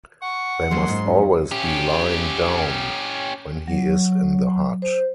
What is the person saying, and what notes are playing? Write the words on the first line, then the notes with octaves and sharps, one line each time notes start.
They must always be lying down when he is in the hut.
F#5 C#6
F#2 F3 F#3 G#3 A#3 C6
G#2
F2 F#3 D4
C#4 G4
F#3
C5